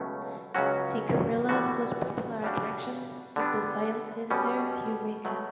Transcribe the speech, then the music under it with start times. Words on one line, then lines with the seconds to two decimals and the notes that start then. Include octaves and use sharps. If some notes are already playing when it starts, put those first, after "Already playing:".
Tikkurila's most popular attraction is the science center Heureka.
Already playing: C#2 B2 F#3 A3 C#4
0.55 C#2 C#3 F#3 C#4 F#4
1.49 E2 D3 G3 B3 F#4
2.42 C#3 G3 D4 F#4
3.36 D3 G3 B3 D4
4.30 B2 G3 C#4
5.25 B2 F#3 A3